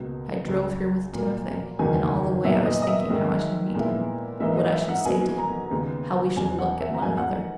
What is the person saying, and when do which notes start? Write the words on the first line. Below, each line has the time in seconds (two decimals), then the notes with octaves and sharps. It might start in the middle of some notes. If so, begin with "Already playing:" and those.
I drove here with Timofey, and all the way I was thinking how I should meet him, what I should say to him, how we should look at one another.
Already playing: C#2 B2 A#3
0.49 C#2 C#3 F#3 C#4
1.13 A#2 F#3 A#3
1.79 F#1 E2 D#3 F#3 G#5
2.44 A#2 F#3 B3 D#4 E5
2.65 D#5
2.82 D#5
2.87 E5
3.10 G#2 D#3 G#3
3.75 A#2 G#3 B3 E4
4.40 G#2 E3 A#3 D#4 E5
4.57 D#5
4.72 E5
4.89 F#5
5.05 B1 B2 F#3 A#3 G#5
5.38 A#5
5.71 D#2 C#3 G#3 B3
6.36 E2 B2 F#3 C#4 G#5
6.59 F#5
6.80 E5
6.94 A#5
7.02 G#2 F#3 A#3 G#5
7.17 F#5